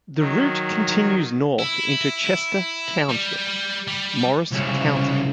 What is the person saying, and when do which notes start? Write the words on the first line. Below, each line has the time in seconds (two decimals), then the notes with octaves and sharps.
The route continues north into Chester Township, Morris County.
0.17 D#3 F#3
1.59 E4
3.09 G3
3.88 G3
4.52 C2 C#3